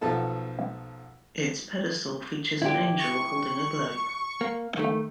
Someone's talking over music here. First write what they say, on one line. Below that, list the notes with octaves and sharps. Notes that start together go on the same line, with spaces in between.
Its pedestal features an angel holding a globe.
B1 B2 F3 B3 A4 A5
A#2 E4 G4
C#6
A#3
D#3 A3